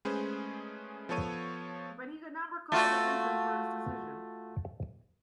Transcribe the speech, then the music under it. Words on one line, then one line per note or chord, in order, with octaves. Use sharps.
But he could not recall the reason for his decision.
G#3 A3 C#4 G#4 B4 C5
F3 B3 A4 C#5 D#7
A3 F4 F#4